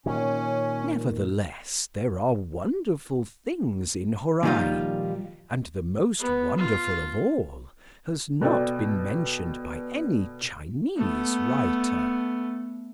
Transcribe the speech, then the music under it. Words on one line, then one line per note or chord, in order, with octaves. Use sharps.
Nevertheless there are wonderful things in Horai; and the most wonderful of all has not been mentioned by any Chinese writer.
A#2 D#3 C#4
A#2 D#3 F3 G3 D#4 F4
B3
F4
B2 A4 D5 G5
A3 B3